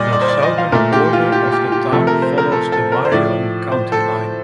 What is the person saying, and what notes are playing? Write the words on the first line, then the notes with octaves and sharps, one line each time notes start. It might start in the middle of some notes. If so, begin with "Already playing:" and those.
The southern border of the town follows the Marion County line.
Already playing: A#2 G3 A#3 D5 D#5
D5
C5
D5
D#5
F5
A#2 A3 A#4
G4
F4
G4
G4
G4
C3 F3 A3 A4
A#4
C5
A#4
A4
A4
A#4
C5
A2 F3 A3 D5
C5
A4